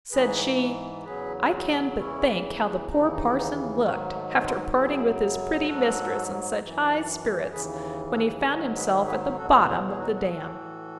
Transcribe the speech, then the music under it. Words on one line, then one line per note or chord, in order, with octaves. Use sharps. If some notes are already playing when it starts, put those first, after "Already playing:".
Said she, I can but think how the poor parson looked, after parting with his pretty mistress in such high spirits, when he found himself at the bottom of the dam!
G#2 E3 G#4 B4
E2 C#3 F#3 G#4 B4
E2 C#3 E3 C#4 E4
D#2 C#3 E3 D#4
E4
D#4
E4
B3 D#4
G#2 D#3 F#3 A3 C#4
A3
A3
G#3 B3
F#2 C#3 F#3 E4 G#4
G#2 F#3 F#4 A4
F#2 E3
D#2 C#3 E3 G#4 B4
F#4 A4
G#2 D#3 F#3 G#4 B4
G#4 B4
G#4 B4
E2 B2 F#3 F#4 A4
F#4
E4 G#4
G#4
D#4 F#4
F#4
G#4
A2 E3 F#4 A4